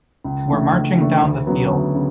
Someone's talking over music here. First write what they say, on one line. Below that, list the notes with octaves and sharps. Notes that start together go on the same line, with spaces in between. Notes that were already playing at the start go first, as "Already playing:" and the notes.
We're marching down the field.
C#2
C#3 E3 A3 D4
C#2
C#3 E3 A3 D4
D2
C#3 F#3 B3
D2
C#3